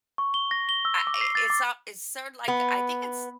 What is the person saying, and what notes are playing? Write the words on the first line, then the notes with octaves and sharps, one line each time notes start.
I i it's so it's sorta like, I think it's
C#6
G7
A#6
G7
E6
D6
C7
A6
D6
B3